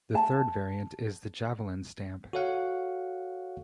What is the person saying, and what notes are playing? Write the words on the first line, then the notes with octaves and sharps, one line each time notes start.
The third variant is the Javelin Stamp.
A5
F#4 A4 C#5 F5 F#5